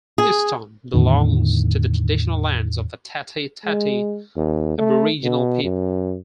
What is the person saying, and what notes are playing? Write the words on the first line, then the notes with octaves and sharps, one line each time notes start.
Euston belongs to the traditional lands of the Tati Tati Aboriginal people.
G#4
E2 A2 D3 D#3
G#3
D#2
A3
B2
F#2